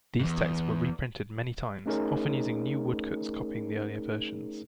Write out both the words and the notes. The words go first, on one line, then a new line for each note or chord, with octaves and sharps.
These texts were reprinted many times, often using new woodcuts copying the earlier versions.
E2 G#2
A3 C#4 D#4 G#4 A#4 C#5